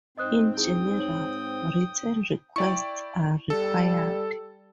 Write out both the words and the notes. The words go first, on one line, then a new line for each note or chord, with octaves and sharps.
In general, written requests are required.
G#2 C4 C5 D#5 D#6 F#6
E4 G#4 G5 D#6
D#4 C#5 F#7
E4 D5 G5 C#6
G3 A4